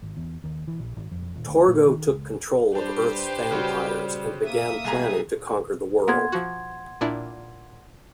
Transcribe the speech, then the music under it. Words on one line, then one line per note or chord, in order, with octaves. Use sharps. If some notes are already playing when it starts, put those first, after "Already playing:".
Torgo took control of Earth's vampires, and began planning to conquer the world.
G#1
E2
D#2
E3
A#1
G#1
F2
D#1
D2
A#2
D#3
C#2
G3 D4 G4 B4 C5
C#3 G3 F#4
A#3 E5 D#6
C2 G#4 A#5
A#3 B3 F#5 C6 G#6
F3 F#4
A#2 D4 E4